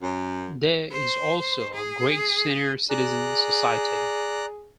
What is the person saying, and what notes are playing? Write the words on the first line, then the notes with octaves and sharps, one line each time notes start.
There is also a Greek Senior Citizen Society.
F#2
C5
G#4
G#4 D5 A#5 F#6